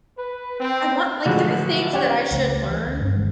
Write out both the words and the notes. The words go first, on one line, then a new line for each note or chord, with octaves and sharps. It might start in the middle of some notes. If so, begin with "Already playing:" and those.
I want, like there are things that I should learn,
B4
C4
A2 D3 F3 F#3 G#3 F#4
D4 G4 C#5
C#2 F#3 A3
E3
D2
G2
G1 D#3 G#3